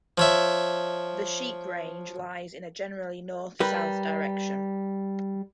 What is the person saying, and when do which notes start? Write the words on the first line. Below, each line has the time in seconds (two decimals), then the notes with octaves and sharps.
The Sheep Range lies in a generally north-south direction.
0.18 F3 C#5 E5
3.60 G3 A#4 B4